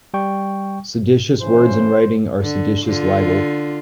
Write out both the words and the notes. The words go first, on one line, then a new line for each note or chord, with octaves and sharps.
Seditious words in writing are seditious libel.
G3 G5 C#6
G2 C#3 E3 C5
D3
D3 F4